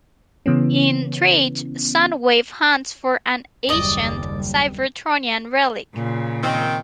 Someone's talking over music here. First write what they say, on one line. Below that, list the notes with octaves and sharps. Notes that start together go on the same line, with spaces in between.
In "Triage", Soundwave hunts for an ancient Cybertronian relic.
C#3 E3 B3 C#4
F#1 D#2 G3 D5 D#5
A#2 C#3
D#3 C4